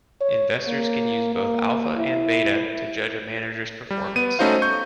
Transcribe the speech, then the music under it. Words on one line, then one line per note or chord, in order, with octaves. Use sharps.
Investors can use both alpha and beta to judge a manager's performance.
C#5
A#3
A#3
E4
G3
B3 D#7
A3 C#4 D#4 F#4 C5 F5
C#6 G6